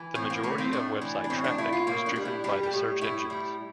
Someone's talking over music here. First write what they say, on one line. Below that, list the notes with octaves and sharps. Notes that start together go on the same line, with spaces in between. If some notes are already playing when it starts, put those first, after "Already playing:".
The majority of website traffic is driven by the search engines.
Already playing: E3
A2 C4
A#3
A3 A#3
C4
A2 D4
E3
D4
A2 C4
D4
A3 E4
F4
A2 A#3
D4
G3
E4
G3 G4
G4
A2
A2 E4
G3